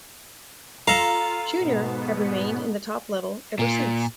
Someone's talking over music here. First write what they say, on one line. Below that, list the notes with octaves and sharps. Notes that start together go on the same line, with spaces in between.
Junior have remained in the top level ever since.
F4 A4 F5 A#5
G#2 B2 B3
A#2